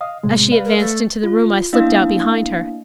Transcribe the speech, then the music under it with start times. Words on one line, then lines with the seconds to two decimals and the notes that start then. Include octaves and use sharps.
As she advanced into the room, I slipped out behind her.
0.01 D#5 F5 D#6
0.23 A2 C3 G#3
0.52 B4 D5 F5
0.65 A#4
0.79 A3
1.24 F4
1.73 A#3 B3 D4 E4 D#5 F5